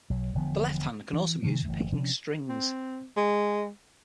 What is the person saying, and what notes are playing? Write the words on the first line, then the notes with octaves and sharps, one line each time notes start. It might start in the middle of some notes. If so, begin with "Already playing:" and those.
The left hand can also be used for picking strings.
B1 F#3
E1 D3 F3 B3
E3
C3 D#3 F3 A#3
F#1 E2 E3 A3
C3 F3 C#4 D4
C4
G#3